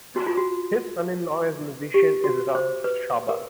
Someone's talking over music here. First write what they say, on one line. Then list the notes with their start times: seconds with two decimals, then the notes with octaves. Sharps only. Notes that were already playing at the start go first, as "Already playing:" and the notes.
His son-in-law is musician Ezra Schabas.
0.16 F#4
0.27 F4
0.37 F#4
1.94 G4
2.24 F#4
2.55 C5
2.84 B4
3.29 A#4